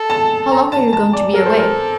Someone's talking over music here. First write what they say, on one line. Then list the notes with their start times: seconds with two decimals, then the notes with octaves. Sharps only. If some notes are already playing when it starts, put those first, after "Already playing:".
"How long are you going to be away?"
Already playing: A4
0.10 A5
0.51 A#5
0.72 A5
0.93 A5
1.13 D5
1.34 A4 A#4
1.46 C5
1.58 A#4